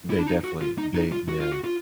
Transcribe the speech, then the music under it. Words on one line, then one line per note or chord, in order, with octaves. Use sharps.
They definitely they Yeah.
E4
D4
D#4
F#4
F4
D#4
D#4
F4
F#4
F4
F#4
F4